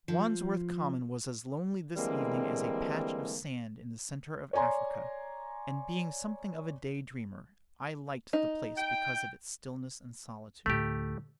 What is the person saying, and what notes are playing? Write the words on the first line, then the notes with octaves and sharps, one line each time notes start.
Wandsworth Common was as lonely this evening as a patch of sand in the centre of Africa; and being something of a day-dreamer, I liked the place because of its stillness and solitude.
F3
D3 E3 G3 G#3 A#3 C4
C#5 D5 G#5 A#5 C6
D#4
G5
D2 A2 A3 G4